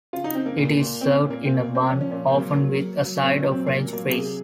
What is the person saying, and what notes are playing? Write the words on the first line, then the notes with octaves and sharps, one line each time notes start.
It is served in a bun, often with a side of French fries.
C#3 F4
D#4
C#3 C4
A#3
A#2
A#2
A#2 C4
C#4
A#2
A#3
A#2 C4
A#3
A#2
C4
F3 C#4
C#4
A#2 C#4
C4
F#3 A#3
F#3
F#3
F#3
A#2 C4
C#4
F#3
C4
A#2 A#3
F#3
A#3
C3 G#4